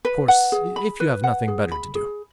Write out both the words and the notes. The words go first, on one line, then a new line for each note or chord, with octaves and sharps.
Of course, if you have nothing better to do.'
B4
F#5
G#4
B5
B4
F#5
G#4
B5
G#4